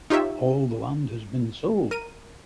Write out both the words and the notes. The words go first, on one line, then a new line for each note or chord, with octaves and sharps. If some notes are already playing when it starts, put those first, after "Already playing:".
All the land has been sold.
D#4 F4 G4 C#5 E5
A#4 D#7